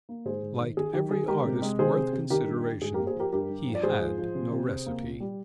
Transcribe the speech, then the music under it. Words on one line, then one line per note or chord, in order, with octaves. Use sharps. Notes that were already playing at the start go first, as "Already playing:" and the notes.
Like every artist worth consideration, he had no recipe.
A#3
G#2 G#4 C5
G#2
D#3
D#3 G#4
D#3 G4
D#3 G#4
G#3 G4 A#4
C3
G#3
D#3 G#4 C5
C3
C3
D#3 G4 A#4
G2
G2
G#2 G#4
G4 A#4
A#3
G#4 C5
F3 G4 A#4
G2 G4 A#4
G2
F3
D5
G#2 G#4 C5
F3
F3
C3
C3
C3
A#3
A#2
G3